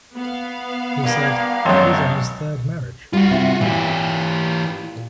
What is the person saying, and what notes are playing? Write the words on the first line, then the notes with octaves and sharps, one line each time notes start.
He said, He's on his third marriage.
B3 F5
G2 A#3
G#1 F#2 C#5 G5 C6
G3 F4 F#4
C3 E4
A#2 E3 G4